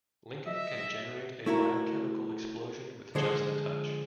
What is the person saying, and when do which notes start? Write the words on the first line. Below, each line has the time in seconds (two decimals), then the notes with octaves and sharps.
Lincoln can generate a biochemical explosion with just a touch.
0.47 D#5 E5
1.46 A3 E4 F#4 A#4
3.15 D3 F3 G#3 A4 C5